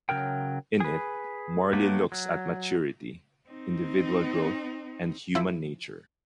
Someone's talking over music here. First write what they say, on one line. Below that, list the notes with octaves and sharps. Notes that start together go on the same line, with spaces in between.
In it, Morley looks at maturity, individual growth, and human nature.
C#3 F#3 A#4 G5
G#4 B4
F#3 A3 A#3 G4 B4
F#3
C4 D#4
F3 E4